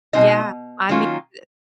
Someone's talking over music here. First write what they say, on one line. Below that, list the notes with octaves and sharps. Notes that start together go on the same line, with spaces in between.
Yeah, I mean uh
B2 G#3 C4 D#4 D#5
D#3 F#3 A#3 C#4 F4